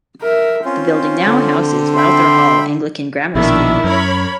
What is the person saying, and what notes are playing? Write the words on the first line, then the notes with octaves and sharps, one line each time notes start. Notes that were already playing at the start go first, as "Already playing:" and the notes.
The building now houses Lowther Hall Anglican Grammar School.
A#4 E5
C4 C#4 F4
D3
E5 G5 B5 C6
A#1 B2 D#3 D4 E4 E5
F#2 A#4 C#5 B5